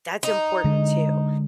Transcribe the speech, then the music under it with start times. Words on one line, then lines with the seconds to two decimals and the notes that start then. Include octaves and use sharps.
that's important too.
0.23 D#4
0.64 D3 G#3